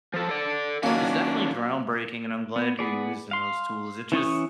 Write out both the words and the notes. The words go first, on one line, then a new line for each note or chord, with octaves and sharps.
it's definitely groundbreaking, and I'm glad you're using those tools. It just,
F3 A4
A4 D5
D#3 F#3 A#3 C#4 D4
B3
B3 G#4 D5
F5 C6
E3 C#4 C#6 D#6